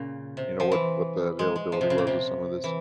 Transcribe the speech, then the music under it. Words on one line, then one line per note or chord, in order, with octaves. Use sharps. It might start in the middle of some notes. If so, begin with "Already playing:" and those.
you know, what what the availability was of some of this.
Already playing: A#2 C#3
C3
F3
E3
G#3
G#3
F3
C3
C#3
A#2
C3
E3